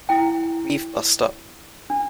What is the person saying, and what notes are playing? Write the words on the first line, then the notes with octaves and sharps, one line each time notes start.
We've bust up.
E4 G5
D4